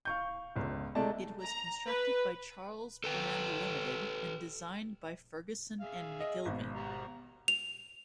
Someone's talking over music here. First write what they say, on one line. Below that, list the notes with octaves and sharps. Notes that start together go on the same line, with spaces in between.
It was constructed by Charles Brand Limited and designed by Ferguson and McIlveen.
F5 C#6 G6
G1 C#2
C3 G#3 A3 D5 A5
A#5
B4
A4 B4 G5
G#4 E5 F5
D#5
G#1 B2
G3 F#4 A#5
F7